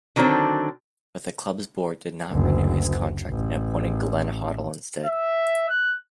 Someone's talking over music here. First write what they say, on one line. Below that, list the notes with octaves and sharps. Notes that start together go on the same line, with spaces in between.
But the club's board did not renew his contract and appointed Glenn Hoddle instead.
D3 D#3 F#3 C4 D4
F#1 D2
A1
E5
F#6